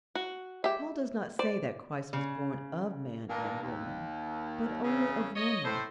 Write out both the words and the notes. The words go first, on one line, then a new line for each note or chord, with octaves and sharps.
Paul does not say that Christ was born of man and woman, but only of woman.
F#4
G#3 G4 E5
C5 D5
C#3
G2 A#2 D#3 A#3 D4
D#2
E2 C#3
C#5 D#5
A2 C5